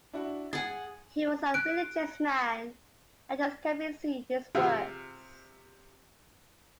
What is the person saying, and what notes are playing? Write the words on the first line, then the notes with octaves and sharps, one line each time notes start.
He was a religious man, and this can be seen in his works.
D4 E4 F#4
G#4 F#5 G#5 A6
F#6 D7
C3 F4 G#4 E5